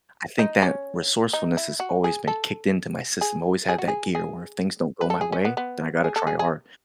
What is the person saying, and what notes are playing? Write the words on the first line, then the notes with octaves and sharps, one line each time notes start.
I think that resourcefulness has always been kicked into my system, always had that gear where if things don't go my way, then I gotta try hard,
D#4
C#4
D#4
E4
F#4
G#4
A4
G#4
G#4
F#4
G#4
G#4
B4
A4
G#4
C#4
B3
B3
G#4
A4
G#4
G#4